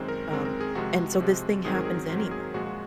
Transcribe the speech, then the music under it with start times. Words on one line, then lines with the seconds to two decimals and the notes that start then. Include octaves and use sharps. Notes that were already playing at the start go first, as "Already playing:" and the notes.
um, and so this thing happens anyway.
Already playing: F#2 D#3 G#3 C4 C5
0.08 A#4
0.30 F#2 D#3 G#3 C4 A#4
0.45 A#4
0.61 G#4
0.75 C3 F3 G#3 F#4
1.20 C3 F3 G#3
1.65 G#2 D#3 F#3 C4 G#4
1.75 A#4
1.85 G#4
2.09 G#2 D#3 F#3 C4 A#4
2.31 G#4
2.54 A#2 F3 G#3 F#4
2.66 F#4